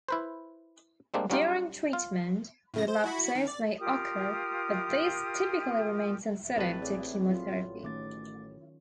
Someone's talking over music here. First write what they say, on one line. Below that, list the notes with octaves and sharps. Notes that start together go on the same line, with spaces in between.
During treatment, relapses may occur but these typically remain sensitive to chemotherapy.
E4 B4 C5
G3 G#3 A#3 C4 D4
F#3 G3 C#4 D#4 F4 G4
F4
A2 C#3 A#6
C5
E4 F#4 B5
D#3
D5
F4 G4 A#4 D#6
A1 A2 C4 B4 A6
C4 G#4 D5
F#3 F4
D#3 A3 C#4 D6 A6